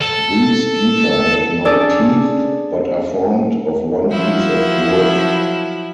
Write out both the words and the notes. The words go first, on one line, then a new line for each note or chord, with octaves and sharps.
These geta have no "teeth" but are formed of one piece of wood.
A4
D4 G#4 A4 D5
F3 F#3 E4